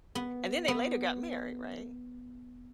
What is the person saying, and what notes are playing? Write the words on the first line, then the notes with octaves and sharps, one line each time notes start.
And then they later got married, right?
B3
B3